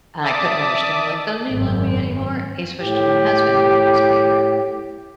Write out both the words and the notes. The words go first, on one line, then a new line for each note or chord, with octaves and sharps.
and I couldn't understand, like, "Doesn't he love me anymore?" He switched to my husband being his favorite.
D5 E5 A5 D6 D#6
G#1 F#2
A2 G4